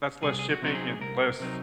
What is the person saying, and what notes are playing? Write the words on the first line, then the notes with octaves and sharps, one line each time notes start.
that's less shipping and less,
C2 G#4
G#4
F#4
C3 F#3 C4 D#4 F#4
G#4
C2 A#4
C3 F#3 C4 D#4